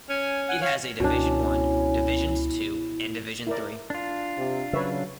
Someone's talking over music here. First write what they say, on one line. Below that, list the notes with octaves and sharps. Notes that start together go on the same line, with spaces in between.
It has a Division One, Divisions Two and Division Three.
C#4 G#5
F#5 G#5
C#5 F5
C#2 B2 C#4 D4 E4
E4 A#4 D5
D4 F4
C3
C#3 F#3 B4 C#5 E5